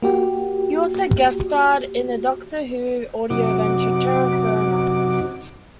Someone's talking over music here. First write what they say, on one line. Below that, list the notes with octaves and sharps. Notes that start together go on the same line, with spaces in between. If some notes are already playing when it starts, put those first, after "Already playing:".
He also guest-starred in the "Doctor Who" audio adventure "Terror Firma".
A#3 F#4 G4
F#2 C3 D#4 F#4 D6